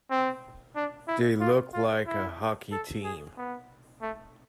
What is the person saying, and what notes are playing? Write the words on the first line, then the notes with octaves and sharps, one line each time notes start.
They look like a hockey team.
C4
D4
E4
F4
F4
E4
A4
G#4
B3
A3